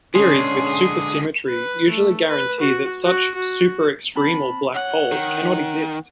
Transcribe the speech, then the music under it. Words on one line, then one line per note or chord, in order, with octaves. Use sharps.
Theories with supersymmetry usually guarantee that such "superextremal" black holes cannot exist.
D3 G#3 C#4 D4 G#4 C6
B4
A3
B4
F#4
F#4
F#4
C4 A5 B5
C#5 F#5
D#3